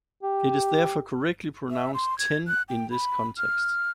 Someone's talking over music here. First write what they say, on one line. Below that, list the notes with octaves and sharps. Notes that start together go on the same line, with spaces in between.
It is therefore correctly pronounced "ten" in this context.
G4
E5
C6
G#6
F#6
G5
B5
F6